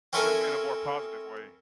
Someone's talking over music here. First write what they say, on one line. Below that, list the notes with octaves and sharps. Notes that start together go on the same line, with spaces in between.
Do 'em in a more positive way.
C4 C#4 E4 A4 A#4 G#5